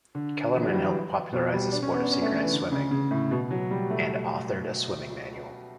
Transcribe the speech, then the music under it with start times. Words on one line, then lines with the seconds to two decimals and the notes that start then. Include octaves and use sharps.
Kellermann helped popularize the sport of synchronised swimming; and authored a swimming manual.
0.15 D3
0.54 E3
0.63 F#3
0.74 G3
0.83 E3
1.33 B2
1.53 G3
1.72 D4
1.82 C#4
1.92 B3
2.02 D4
2.12 C#4
2.22 A3
2.42 E3
2.52 D3
2.72 C#3
2.91 C#3
3.11 A2
3.31 B2
3.51 F#3
3.71 G3
3.90 A3